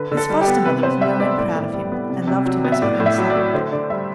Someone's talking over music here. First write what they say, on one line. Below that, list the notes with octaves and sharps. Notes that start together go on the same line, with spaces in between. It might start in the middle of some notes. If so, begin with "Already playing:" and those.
His foster-mother was no end proud of him, and loved him as her own son.
Already playing: D3 B4
D3
A4
G3
G4
B3
C3 B4
C3 C5
G3 E5
B3 D5
A2 D5
A2
G3
B3
C3
C3
F#3
B3
E5
A2 D5
A2
E5
F#3
D5
A3
D3 C5
D3 D5
G3 E5